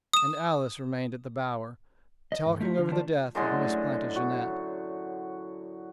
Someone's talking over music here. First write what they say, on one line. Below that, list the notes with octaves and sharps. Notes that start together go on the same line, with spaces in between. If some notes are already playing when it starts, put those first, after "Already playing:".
And Alice remained at The Bower, talking over the death with Miss Plantagenet.
D#6 E7
D#5
D#2 G#2
A3 E4 F4 G4
D3 F4
D#3 F4 C5 D5 A5
F#2 A2 D3 G#3 F#5 C6
F#4